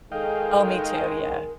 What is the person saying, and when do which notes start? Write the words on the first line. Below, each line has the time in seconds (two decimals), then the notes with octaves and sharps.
Oh, me too, yeah.
0.12 D#3 G#3 A4 D#5 F5 G5
0.88 A#4